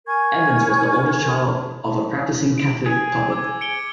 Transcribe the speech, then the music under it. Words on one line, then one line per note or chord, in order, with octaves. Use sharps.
Evans was the oldest child of a practicing Catholic couple.
A#4 G#5 C#6 G#6
D7
G#4 G#5
D6 E6 G#6
C#7 D7 G7